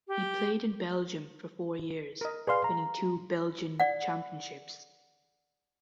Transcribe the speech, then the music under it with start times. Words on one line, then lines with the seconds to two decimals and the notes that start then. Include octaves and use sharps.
He played in Belgium for four years, winning two Belgian championships.
0.08 G4
2.21 A#4 D#5
2.47 G#4 B4 D5 F5 C6
2.64 A#5
3.80 D5 F#5